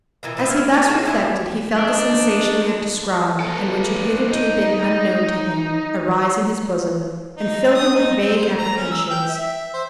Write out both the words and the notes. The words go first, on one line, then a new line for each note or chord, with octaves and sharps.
As he thus reflected, he felt the sensation we have described, and which had hitherto been unknown to him, arise in his bosom, and fill him with vague apprehensions.
A#2 E3 A#3
A#2 B4 C5 E5
C#4
A3 B3 F4 G4
F#4 G#4
D4 E4 C5
D4 D#4
B3 A4
D#4
D#4
D#6
D#4
C4
C5
A#5
C#4
E6
G5
E5
C5